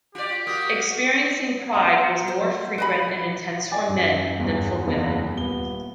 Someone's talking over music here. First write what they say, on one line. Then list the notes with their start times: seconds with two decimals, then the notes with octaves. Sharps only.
Experiencing pride was more frequent and intense for men than for women.
0.15 F4 G4 D5
0.47 A#3 F#4 D#6
1.73 F#5 A#5 C6
2.28 C5
2.78 B4 D#5 B5
3.71 D5 D#5 G5 G#5 D6 A6
3.89 F#2
4.40 G1 E2
4.87 F#1 E2 E3
5.35 D#1 B3 G7